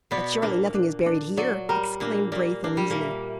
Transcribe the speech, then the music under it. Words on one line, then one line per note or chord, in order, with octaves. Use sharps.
"But surely nothing is buried here?" exclaimed Braith uneasily.
B2 B3 D5
A#2 A#3 D4
D4
D4
F#3 D5
G3 A#4
A#2 A#3 D4
A#2 A#3 D5
A#3 D4
G3
A#2 A#3
E5